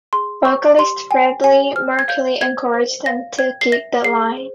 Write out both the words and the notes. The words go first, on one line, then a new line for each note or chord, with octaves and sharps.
Vocalist Freddie Mercury encouraged him to keep the line.
G#4 C6
C5 C#6
G4 C6
G5 G#5
G4 G#5
C5 F6
G#6
F5 G6
C5 G#6
C5
F5 A#6
G5 G#6
C7
E5 A#6
G#4 C7
C5